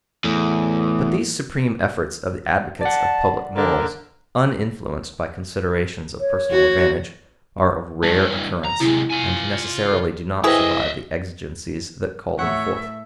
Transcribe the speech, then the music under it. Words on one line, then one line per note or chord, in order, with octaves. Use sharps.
But these supreme efforts of the advocates of public morals, uninfluenced by considerations of personal advantage, are of rare occurrence, and necessarily do not survive the exigencies that call them forth.
E2 A2
D5 F#5 A5
D3 A#4
C#5
F#4
G2 E3 A5
A#5
C3 G#3 E4
F4 G#5
A4
E3 G#4 A4 C5 D#5 E5 G5
A2 C#5 E5 F#5